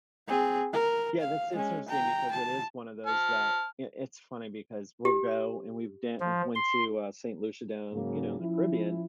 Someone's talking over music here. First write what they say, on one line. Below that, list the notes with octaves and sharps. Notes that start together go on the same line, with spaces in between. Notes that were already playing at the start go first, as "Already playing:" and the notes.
yeah, that's interesting, because it is one of those that it it's funny, because we'll go, and we've do went to, uh, Saint Lucia down, you know, in the Caribbean,
C4 G#4
A#4
F5
G#3 C#4
G5 A#5
A5
A5 F6
G4
F3
C6
G#2 C#3 F#3 A#3
F3 C#4 E4